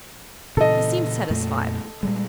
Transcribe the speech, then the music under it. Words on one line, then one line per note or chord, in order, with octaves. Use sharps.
He seemed satisfied.
A#2 C#3 E3 A4 D#5
F2 A#2 A3
A#2 G3 G#3